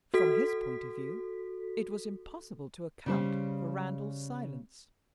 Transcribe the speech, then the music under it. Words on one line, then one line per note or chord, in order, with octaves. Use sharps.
From his point of view, it was impossible to account for Randal's silence.
F#4 A4 B6
C#3 G3 C5